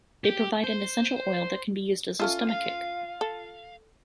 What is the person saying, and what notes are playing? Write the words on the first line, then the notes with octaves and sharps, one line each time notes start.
They provide an essential oil that can be used as a stomachic.
G4
C5
C#4 F4 A4 E5
F5
A4